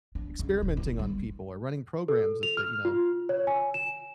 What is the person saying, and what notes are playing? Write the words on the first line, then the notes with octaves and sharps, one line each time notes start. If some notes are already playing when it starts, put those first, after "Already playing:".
experimenting on people or running programs that the you know,
D4
C#2
D#1
E4
G3
A4
F7
F6
F4
C#5
G#5
E7